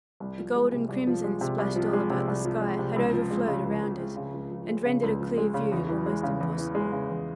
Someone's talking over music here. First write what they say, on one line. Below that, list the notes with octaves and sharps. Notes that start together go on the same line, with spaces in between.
The gold and crimson, splashed all about the sky, had overflowed around it, and rendered a clear view almost impossible.
C2
F3
G#3
C3
C2
F3
G#3
C3
C2
F3
G#3
C3
C2
F3
G#3
C3
C#2
F3
G#3
C#3
C#2
F3
G#3
C#3
C#2
F3
G#3
C#3
C#2
F3
G#3
C#3
E2
E3
G#3
C#3
E2
E3
G#3
C#3
E2